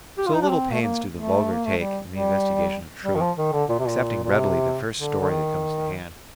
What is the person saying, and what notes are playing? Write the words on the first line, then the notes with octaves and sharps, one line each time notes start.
So little pains do the vulgar take in the investigation of truth, accepting readily the first story that comes to hand.
G4
F4
D#4
D4
C4
A3
A#3
A3
A#3
A3
G3
G3
G3
D#3
F3
D#3
D3
A#2
C3
A#2
A#2
C3
D3
D3
D#3